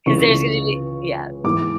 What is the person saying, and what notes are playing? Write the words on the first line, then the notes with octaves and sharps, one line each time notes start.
'Cause there's gonna be Yeah.
C#2 C#3 E3 C#6
G#2 E3 D6